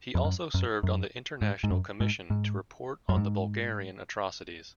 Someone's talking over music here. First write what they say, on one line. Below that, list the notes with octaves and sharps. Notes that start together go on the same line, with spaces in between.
He also served on the International Commission to report on the Bulgarian Atrocities.
F2
F#2
F#2
F#2
G#2
G#2
F#2
G#2
G#2
F#2
G#2